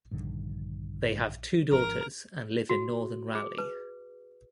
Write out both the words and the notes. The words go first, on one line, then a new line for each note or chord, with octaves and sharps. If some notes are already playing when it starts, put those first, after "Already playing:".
They have two daughters and live in northern Raleigh.
A#1 G2 D3 D#3
G#1 F3 C#4 A#4 A#5
F#4
G#4
B4